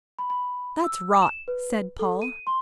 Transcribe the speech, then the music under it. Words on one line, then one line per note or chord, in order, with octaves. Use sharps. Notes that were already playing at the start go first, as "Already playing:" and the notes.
"That's rot," said Paul.
B5
B5
E6
E7
B4
A4
D#7
C6